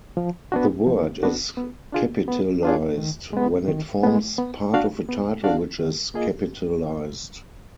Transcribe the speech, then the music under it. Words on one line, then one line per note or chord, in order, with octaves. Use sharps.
The word is capitalized when it forms part of a title which is capitalized.
F3
B3 D4 F#4
F3
B3 D4 F#4
B3
D4 F4 G#4
B3
D4 F4 G#4
D#3
G#3 B3
D#3
G#3 B3
B3
D4 F#4 D5 F5
B3
D4 F#4 D5 F5
D#3
A#3 F4 G#4 D#5